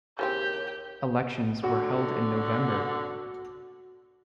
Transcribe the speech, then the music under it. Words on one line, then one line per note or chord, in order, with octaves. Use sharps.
Elections were held in November.
D#2 C#3 E3 G3 C4 G4 G6
D3 F#4